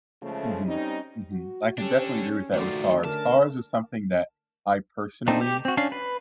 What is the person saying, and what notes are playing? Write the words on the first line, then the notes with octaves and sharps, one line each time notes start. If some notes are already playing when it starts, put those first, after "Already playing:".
Mhm, mhm. I can definitely agree with that with cars. Cars are something that I, personally
C#3 F3 G#3 A3
G3 C4 C#4 D#4
F#4
C#4 D4 G4 A4
D#3 F3 A3 F#4 D5
D3 C#4 A#4 A5
A3 C4 D4 D#4
G4
C4 F#4
C#4 D4 F5
B4